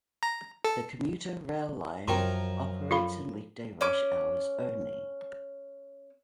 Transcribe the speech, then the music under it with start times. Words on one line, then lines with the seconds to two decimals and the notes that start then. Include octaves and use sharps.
The commuter rail line operates in weekday rush hours only.
0.23 A#5
0.64 A4
2.08 F#2 E3 F3 A#4 C#5 G5 A5 C6
2.91 F4 F#4 A4 F5 B5
3.81 C#4 D6